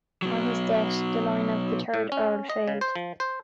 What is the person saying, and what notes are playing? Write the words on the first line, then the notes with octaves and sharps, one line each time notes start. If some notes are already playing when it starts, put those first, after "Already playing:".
On his death the line of the third Earl failed.
B2 F#3
A2
C#4
D#5
C#3
C5
F3
C5